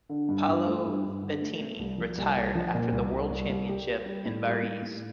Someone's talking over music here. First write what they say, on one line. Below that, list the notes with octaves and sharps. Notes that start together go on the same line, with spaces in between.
Paolo Bettini retired after the world championship in Varese.
D3
G2
G2
A3
G2
G2
D3
A3
A3
C2
F3
C2
C2
F3
A#2
C2
C2
C2
C2
G4
G4
G3
A2
G3
A2
A2